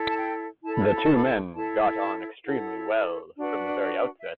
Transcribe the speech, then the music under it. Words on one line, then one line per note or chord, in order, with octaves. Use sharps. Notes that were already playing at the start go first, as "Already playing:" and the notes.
The two men got on extremely well from the very outset.
Already playing: E4 A4 C#5
A5
G5
E4 A4 C#5 A5
B5
A5
B5
A5
B5
A5
E4 A4 C#5 A5
A5
E4 A4 C#5 F#5
D4 F#4 B4
E5